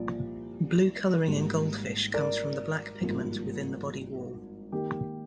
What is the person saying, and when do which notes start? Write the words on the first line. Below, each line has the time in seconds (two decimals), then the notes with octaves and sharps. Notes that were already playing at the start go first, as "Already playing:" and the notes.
Blue colouring in goldfish comes from black pigment within the body wall.
Already playing: C2 A#2 F3 D5
1.27 G#1 G#2 G3 A#3
2.14 A#4 D5
3.01 G#1 G2 F3 A#3
4.72 D#3 A#3 G4